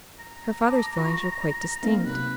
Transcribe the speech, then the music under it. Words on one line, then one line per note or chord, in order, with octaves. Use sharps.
Her father's feelings were quite distinct.
A#5
A5 D6
F4 B5 C#6
A#3 C4 D#4 F5
C3 F#3 B4